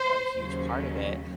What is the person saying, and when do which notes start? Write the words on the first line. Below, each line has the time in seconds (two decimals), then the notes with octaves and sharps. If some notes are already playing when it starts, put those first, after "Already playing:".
a huge part of it,
Already playing: C5
0.35 D#2 C#3 F#3 C#4